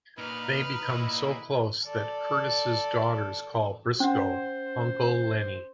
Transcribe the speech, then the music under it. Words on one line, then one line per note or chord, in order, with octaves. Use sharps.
They become so close that Curtis' daughters call Briscoe "Uncle Lenny".
A#2 D#4 B4 F6
A#2 E4 D#5 E5
A4 D5
C#4 C5 F#5